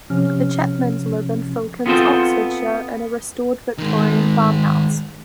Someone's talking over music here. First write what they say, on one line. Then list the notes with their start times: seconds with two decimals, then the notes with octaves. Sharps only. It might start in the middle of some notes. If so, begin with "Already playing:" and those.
The Chapmans live in Filkins, Oxfordshire, in a restored Victorian farmhouse.
0.10 C3 F3 C#4 F6
1.86 B3 C4 F4 G#4 A4 C5
3.78 D#3 G#3